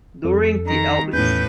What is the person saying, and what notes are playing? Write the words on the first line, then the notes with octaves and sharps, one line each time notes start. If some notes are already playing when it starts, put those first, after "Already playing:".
During the Elvis!
F2 A4
D#3 A#5
E2 A2 C#4 B4 G6